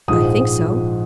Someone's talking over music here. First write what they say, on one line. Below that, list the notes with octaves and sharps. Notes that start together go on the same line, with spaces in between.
"I think so."
A#1 G#2 F3 G#3 D#6